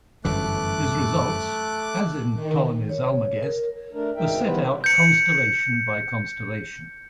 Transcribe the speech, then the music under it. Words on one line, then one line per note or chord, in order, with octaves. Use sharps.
His results, as in Ptolemy's "Almagest", were set out constellation by constellation.
G1 F#2 E3 A3 D6 F#6
D#3
C#5
A#4
A3 D4 A#4
D2 G#2 D#4 A#4 E5 G5
D#3 G3 B3 E4 B4 C5
G6 C#7